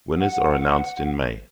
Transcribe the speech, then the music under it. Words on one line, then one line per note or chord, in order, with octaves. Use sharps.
Winners are announced in May.
F#5